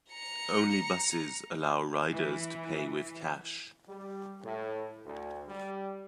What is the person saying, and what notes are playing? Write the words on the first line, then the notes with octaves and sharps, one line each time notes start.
Only buses allow riders to pay with cash.
A#5 C#7
E3
G3
A2
D2
G3